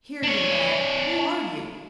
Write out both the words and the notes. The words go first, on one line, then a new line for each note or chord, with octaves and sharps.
Here, you man, who are you?
D4 C#5